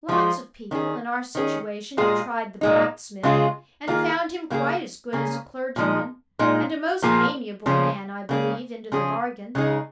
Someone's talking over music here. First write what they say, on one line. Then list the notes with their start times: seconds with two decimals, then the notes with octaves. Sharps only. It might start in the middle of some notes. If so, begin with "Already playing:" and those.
Lots of people in our situation have tried the blacksmith, and found him quite as good as a clergyman, and a most amiable man, I believe, into the bargain.
0.09 F3 G#3 F4 G#4
0.71 D#3 C#4 G#4
1.35 D#3 C#4 G#4
1.97 A#2 G#3 F4 G#4
2.61 A#2 G#3 D#4
3.23 C#3 G#3 F4 G#4
3.88 D#3 A#3 F4 G#4
4.50 C#3 A#3 F4 G#4
5.13 C#3 A#3 C#4 G#4
5.76 A#2 F3 G#3 D#4
6.39 A#2 G#3 D#4
7.02 A#2 F3 A#3 F4 G#4
7.66 C#3 F3 C#4 G#4
8.29 C#3 A#3 C#4 G#4
8.92 C#3 F3 C#4 G#4
9.55 C#3 G#3 D#4 G#4